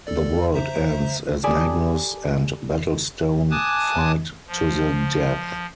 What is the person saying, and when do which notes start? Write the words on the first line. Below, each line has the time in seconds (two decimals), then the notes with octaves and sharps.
The world ends as Magnus and Battlestone fight to the death.
0.07 A4 D5
0.54 C5 E5 A#5
1.43 G4 A4 D5 G#5 B5 D#6
3.51 G#5 A5 D6 D#6 F#6 G#6
4.47 F3